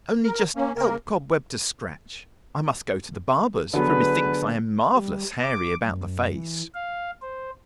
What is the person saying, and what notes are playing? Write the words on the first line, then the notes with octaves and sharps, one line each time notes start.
"Only just help Cobweb to scratch. I must go to the barber's, for methinks I am marvelous hairy about the face."
A#4
A#3 C#4
C#3 A#3 A#4
D3 F#3 B3 G#4 B4
G3
D6
F#2
E3
F5
C5